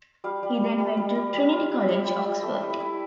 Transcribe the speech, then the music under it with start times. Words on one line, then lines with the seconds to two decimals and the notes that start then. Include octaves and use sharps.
He then went to Trinity College, Oxford.
0.24 G3 F5
0.43 G3
0.61 G3
0.78 G3
0.97 G3
1.15 G3
1.34 G3
1.52 F4
1.70 G3
1.89 G3 E5
2.06 F4
2.15 E5
2.25 G3
2.42 A3 E5
2.61 E4
2.70 E5
2.80 E4